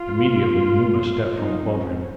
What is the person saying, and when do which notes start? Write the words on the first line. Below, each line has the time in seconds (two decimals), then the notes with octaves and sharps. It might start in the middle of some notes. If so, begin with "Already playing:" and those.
Immediately Numa stepped from above him.
Already playing: F4
1.35 C3 F#3 C4 D#4
1.67 C#4